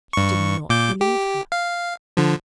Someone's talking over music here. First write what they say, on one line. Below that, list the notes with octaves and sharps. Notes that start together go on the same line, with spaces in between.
He did not believe her.
G2 C#6
A#2 D6 G6
G4
F5
D3 F3